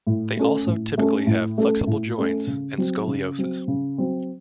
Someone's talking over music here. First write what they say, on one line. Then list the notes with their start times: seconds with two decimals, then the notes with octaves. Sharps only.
They also typically have flexible joints and scoliosis.
0.07 A2
0.37 A3 C#4 A4
0.66 A2
0.98 A3 C#4 A4
1.26 A2
1.58 A3 C#4 A4
1.87 A2
2.18 A3 C#4 A4
2.47 C#3
2.78 F#3 C4
3.07 C#3
3.38 F#3 C4
3.68 C#3
3.98 F#3 C4